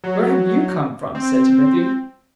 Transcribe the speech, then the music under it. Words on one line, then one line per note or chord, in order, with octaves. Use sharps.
"Where have you come from?" said Timothy.
F#3
C4